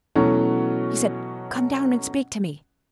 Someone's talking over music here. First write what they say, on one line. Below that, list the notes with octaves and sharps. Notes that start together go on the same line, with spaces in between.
He said, 'Come down and speak to me!
B2 E3 F#3 A3 C#4